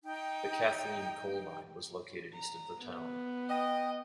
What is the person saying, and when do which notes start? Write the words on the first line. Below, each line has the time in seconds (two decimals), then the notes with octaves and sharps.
The Kathleen Coal Mine was located east of the town.
0.04 D#4 G5
2.34 A#5
2.82 B3
3.49 D#5 G5